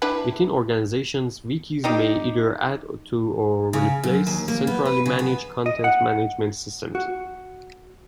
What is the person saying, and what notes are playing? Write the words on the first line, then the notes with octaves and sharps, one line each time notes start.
Within organizations, wikis may either add to or replace centrally managed content management systems.
D4 E4 B4
D4 D#4 G4
C#3
F#2
D#2
A#3
B3
B4
C#3
B3
D#5
F#5
F#4